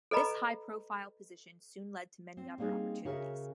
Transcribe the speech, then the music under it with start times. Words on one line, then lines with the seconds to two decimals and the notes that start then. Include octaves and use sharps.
This high-profile position soon led to many other opportunities.
0.11 A4 B4 D#5 A#5 B5
2.37 C4
2.58 G3 A#3 C4 D#4 G#4
3.05 C#3 F#4 G#4 A#4 C#5 E5